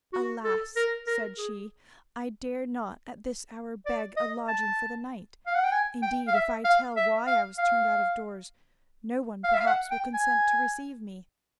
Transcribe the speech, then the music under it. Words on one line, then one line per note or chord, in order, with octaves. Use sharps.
"Alas," said she, "I dare not at this hour beg a lodging for the night. Indeed, if I tell why I was turned out of doors, no one perhaps will consent to receive me."
F#4
A4
A#4
A#4
G#4
D5
D#5
A5
F5
F#5
G5
G#5
G5
F5
E5
F5
E5
F5
F5
F5
E5
F5
F#5
G5
G#5